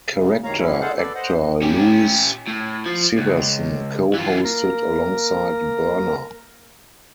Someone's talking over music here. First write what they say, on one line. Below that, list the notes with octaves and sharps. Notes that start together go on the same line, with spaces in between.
Character actor Louise Siversen co-hosted alongside Berner.
A#2 C#3
F#2 C3 D#3 C#5 F5 A#5
F3 F#3 G#3 C#4 E4
G#4 A4 C5 F5 F#5
A4 B4 D5
C5 D#5 F#5
C#4 G4
A2
F3
C#2
E3 F4
A#3 A#4